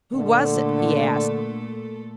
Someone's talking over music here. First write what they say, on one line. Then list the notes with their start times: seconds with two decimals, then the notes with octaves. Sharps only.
"Who was it?" he asked.
0.14 A#2 D3 A3 A4